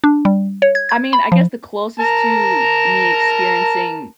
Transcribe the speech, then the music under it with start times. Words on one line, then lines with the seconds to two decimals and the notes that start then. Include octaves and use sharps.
I mean, I guess the closest to me experiencing
0.04 D4
0.25 G3
0.62 C#5
0.75 G#6
0.89 G#6
1.13 B5
1.32 F3
1.99 A#4 A5 A#5